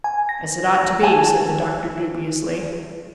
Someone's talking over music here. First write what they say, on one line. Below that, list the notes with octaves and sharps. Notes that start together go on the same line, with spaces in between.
"As it ought to be," said the doctor dubiously.
G#5
A#6
G#5 A5